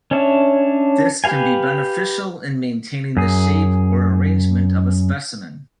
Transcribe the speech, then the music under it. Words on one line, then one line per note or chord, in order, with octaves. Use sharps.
This can be beneficial in maintaining the shape or arrangement of a specimen.
C#4 D4 C#5 E5
G4 B4 F5 G#5
F#2 G#4